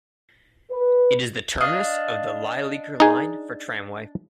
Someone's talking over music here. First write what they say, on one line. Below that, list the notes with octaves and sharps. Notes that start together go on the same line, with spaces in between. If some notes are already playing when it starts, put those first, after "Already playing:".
It is the terminus of the Lilleaker Line for tramway.
B4
D4 D#5 F5
D#4 G#4